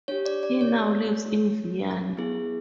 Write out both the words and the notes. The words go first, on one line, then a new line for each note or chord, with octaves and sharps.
He now lives in Vienna.
D4 G4 C#5
D5
D5
C#5
B3 E4 G#4